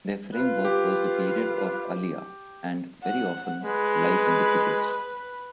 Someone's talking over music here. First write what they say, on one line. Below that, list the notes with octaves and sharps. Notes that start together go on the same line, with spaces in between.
Their framework was the period of aliyah and, very often, life in the kibbutz.
F4 B4
G4
F#5
G#3 B4